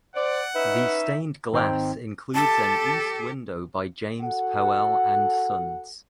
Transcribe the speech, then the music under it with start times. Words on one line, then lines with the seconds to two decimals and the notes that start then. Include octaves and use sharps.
The stained glass includes an east window by James Powell and Sons.
0.15 C5 D5 F#5
0.55 C#4 D#4 B4 E5
1.53 G#1 C4 D#4 C5 G5
2.35 G4 A4 A5
4.21 F#4 A4 F#5